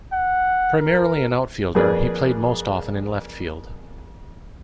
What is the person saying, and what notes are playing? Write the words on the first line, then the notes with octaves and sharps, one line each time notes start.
Primarily an outfielder, he played most often in left field.
F#5
A#4
F2 A#3 G#4 B4 D5